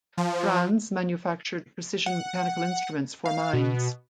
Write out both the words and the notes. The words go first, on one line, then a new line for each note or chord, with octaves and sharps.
Franz manufactured precision mechanical instruments for mines.
F3
F#5
F5
B2